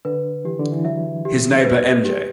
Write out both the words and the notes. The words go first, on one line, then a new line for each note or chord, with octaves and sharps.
His neighbor M. J.
D3 B4
E3 G4
D3
E3
F#3 E5
G4
G3 B4
G4